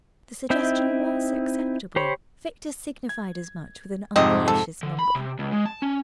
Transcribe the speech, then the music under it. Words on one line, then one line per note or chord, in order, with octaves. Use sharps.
The suggestion was acceptable: Victor signified as much with an ungracious mumble.
C4 D#4 E4 E5 G5
G4 C5 C#5 B5
G#6
F2 G#2 C3 C4 D#5
A4
D3
B5
C3
C#2
G#3
A5
C#4